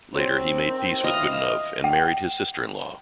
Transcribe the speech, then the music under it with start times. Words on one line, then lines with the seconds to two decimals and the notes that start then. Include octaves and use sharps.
Later he made peace with Godunov and married his sister-in-law.
0.14 F#3 C4 C5
0.66 D#3 G5
1.04 E4 D#5 F5
1.84 G5